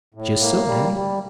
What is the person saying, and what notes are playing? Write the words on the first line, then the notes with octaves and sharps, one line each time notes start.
"Jist so, daddy."
A2
A#3
G3
G3